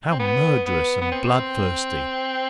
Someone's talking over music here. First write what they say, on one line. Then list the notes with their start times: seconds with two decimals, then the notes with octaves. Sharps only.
"How murderous and bloodthirsty!"
0.11 C4
0.19 B3
0.66 B3
1.01 B3
1.12 C4